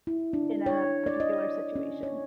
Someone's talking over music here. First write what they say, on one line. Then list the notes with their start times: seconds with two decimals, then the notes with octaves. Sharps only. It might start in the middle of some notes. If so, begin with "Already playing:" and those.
in a particular situation.
0.07 E4
0.33 D4
0.66 C#5
1.06 D5
1.20 D#5
1.76 C#4
2.03 C#5